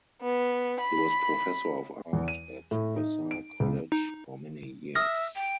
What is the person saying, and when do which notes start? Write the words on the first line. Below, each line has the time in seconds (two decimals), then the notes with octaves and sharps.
He was professor of art at Vassar College for many years.
0.22 B3
0.80 B5
2.13 E2
2.28 D#7
2.71 A2
2.96 D#4
3.31 D7
3.60 C#2
3.92 D#4
4.95 E5 D#6 F6 A#6
5.36 G5